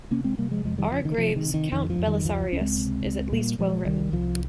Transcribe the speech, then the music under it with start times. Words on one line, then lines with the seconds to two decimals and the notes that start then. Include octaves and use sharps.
R. Graves's "Count Belisarius"... is at least well-written.
0.11 C3 A#3 C#4
0.24 G#3 C4
0.38 C3 G3 A#3
0.51 F3 G#3
0.64 F2 F3 G#3
0.78 D#3 G3
0.92 C#3 F3
1.05 D#3
1.18 C3 F3
1.36 D#3
1.45 C3
1.54 D#3
1.72 F2 D#3
1.90 F3
1.99 F2
2.07 D#3 G3
2.25 C#2 F3
2.52 C#2 C#4
2.61 G#3 C4
2.79 C3
3.06 C#2
3.32 A#2 G3 A#3
3.59 A#2 F3 G#3
3.85 C2 D#3 G3
4.12 C2 F3